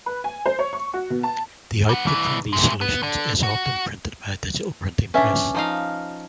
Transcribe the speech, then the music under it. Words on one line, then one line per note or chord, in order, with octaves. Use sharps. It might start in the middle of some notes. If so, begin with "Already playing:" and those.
The output from these solutions is often printed by a digital printing press.
B4
G#5
C5
C#5
C#6
F#4
B2
A5
G3 F#5
C2 E3
A2 G#3
B3
D3
F#4
C#4 D4 B4 E5
F3 D#4 F5